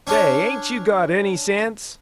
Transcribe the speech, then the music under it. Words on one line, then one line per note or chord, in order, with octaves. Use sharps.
"Say, ain't you got ANY sense?"
C#4 D4 C#5